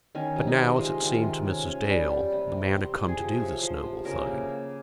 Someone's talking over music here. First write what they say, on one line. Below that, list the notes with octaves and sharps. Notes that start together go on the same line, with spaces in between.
But now, as it seemed to Mrs. Dale, the man had come to do this noble thing.
D#3 C#4
C3
D#4
C3
G#3 F4
D#3
F4
C3
C#4
C#4
G3
G3
C3
C3
C4 G4
C3
G#4
F3
F3 C#5
F3 C5
C3
C#3 A#4
A#3
A#3